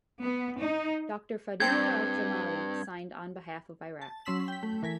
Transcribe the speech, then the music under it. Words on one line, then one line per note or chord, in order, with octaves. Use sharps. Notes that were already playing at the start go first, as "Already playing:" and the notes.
Doctor Fadhil Al-Jamali signed on behalf of Iraq.
B3
D#4
G2 C4 G6 G#6
A5
F#3 C#4 C6 E6 B6 F#7
G5 B6
A3
E3 A#4 G#5 B6